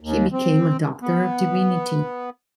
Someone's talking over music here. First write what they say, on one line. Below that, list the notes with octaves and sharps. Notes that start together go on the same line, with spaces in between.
He became a Doctor of Divinity.
D#2
C4
B3